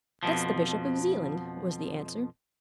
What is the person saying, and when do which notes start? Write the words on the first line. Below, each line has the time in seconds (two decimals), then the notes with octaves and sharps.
"That's the Bishop of Zealand," was the answer.
0.23 F2 B2 F3